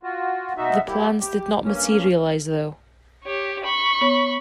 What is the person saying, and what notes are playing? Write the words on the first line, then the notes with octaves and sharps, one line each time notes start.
The plans did not materialize, though.
F4 F#4
B2 D#4 F#4 E5
G3 A#3 E4 G4
G4
G2 A#3 C#4
G4 C#5
B5 C#6
B3 C#5